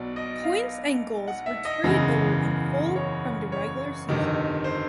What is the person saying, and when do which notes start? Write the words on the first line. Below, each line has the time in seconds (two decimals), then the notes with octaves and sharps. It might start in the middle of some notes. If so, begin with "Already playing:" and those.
Points and goals were carried over in full from the regular season.
Already playing: B1 B2 D5
0.16 D#5
0.43 F5
1.28 F#5
1.46 E5
1.65 D#5
1.84 F#1 E2 C#3 E3
2.96 C#5
3.52 C#5
4.09 G1 F2 C3 D#3
4.64 C5